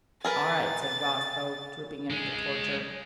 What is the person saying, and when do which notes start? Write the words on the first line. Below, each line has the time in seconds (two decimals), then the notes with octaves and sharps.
"All right," said Roscoe, drooping under the torture.
0.24 G#4 A#4 B4 A6
2.10 G#3 C#4